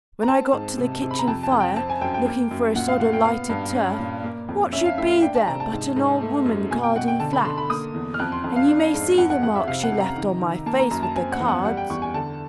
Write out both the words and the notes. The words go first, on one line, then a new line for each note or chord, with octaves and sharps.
When I got to the kitchen fire, looking for a sod of lighted turf, what should be there but an old woman carding flax, and you may see the marks she left on my face with the cards.
A#5
C4 A5
G#2
C3
C3
B5
A#5
F2 A5
A5
F2
G5
C4 A5
G#5
F#2 G5
G5
A#3
F#2
A#2 F#5
F5
A#2 F#5
G5
B3 F5
G2
C#4
A#2
A#3
F2
C#4 E5
F5
A2 E5
F5
D4 G5
A5
C3 A#5
A5
G#2
G#2
A3
F#2
B2 G#5
G5
B2 F#5
G5
D3 A5
B5
D3 C6
B5
A#3 D#6
E2
F6
F2 F#6
C6
F2
F5
D4
G#2
F2 F#5
F#5
F2 F#5
E5
C3 F5
F#5
C3
A#5
D#3
D#3
A#3 A5
A#5
F#2 A#5
A5
C4 G#5
F#5
E2
F#5
G3 F#5
G5
E2 C#6
G#5
D3 A5